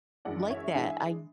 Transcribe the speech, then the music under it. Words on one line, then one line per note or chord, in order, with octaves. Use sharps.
like that. I
F#2 E3 G#3 D4 D5 F#5
C#5 E5
E3 G#3 D4 E5 G#5